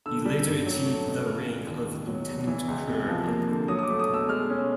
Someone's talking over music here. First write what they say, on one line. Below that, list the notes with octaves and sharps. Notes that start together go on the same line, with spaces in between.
He later achieved the rank of lieutenant colonel.
D3 E6
G3
G2
F#3
A3
B2
C#3 F6
E1
D#2
B2
F#3
E2
E3
C#2
C3
F3
A#3
D3
F#3 D#6
D#6
D6
A3
D#6
B2 E6
G#3 F6
C#4